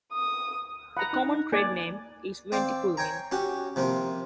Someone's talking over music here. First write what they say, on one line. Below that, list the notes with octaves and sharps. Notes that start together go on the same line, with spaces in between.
A common trade name is Ventipulmin.
D#6
F#5 A#5 B5
D#4 F#6
A#3 D5 G#5
C4 D5 F5 G5
C#5 G5 G#5 A#5
C#4 F#4 G4
C3 F3 A#3 F4